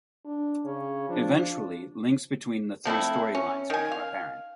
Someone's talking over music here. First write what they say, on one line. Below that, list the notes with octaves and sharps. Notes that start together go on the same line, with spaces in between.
Eventually, links between the three storylines become apparent.
D4
C#3 C#4
F3 D4
F3 A3 C4 E4
C#4
D#3 G#5
F5